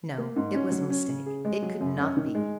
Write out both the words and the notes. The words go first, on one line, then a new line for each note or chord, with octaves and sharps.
No, it was a mistake; it could not be.
A#3
G#2
C#4
F#3
C#4
C#3
G#4
G#3
F#3
F#2
C#4
D#3
G#3